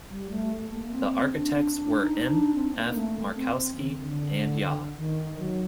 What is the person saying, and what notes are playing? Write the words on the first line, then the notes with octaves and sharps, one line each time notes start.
The architects were M. F. Markovsky and Ya.
G3
A3
A#3
C4
D4
D4
D#4
D4
C4
A#3
A3
C4
C4
D#3
D3
D#3
F#3